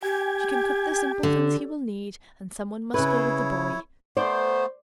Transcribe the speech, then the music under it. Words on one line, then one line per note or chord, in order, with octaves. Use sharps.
She can cook the simple things he will need and some one must go with the boy.
G4 G5 G#5 G#6
D3
C#3 E4 B4 C#5
A3 B3 C5 D5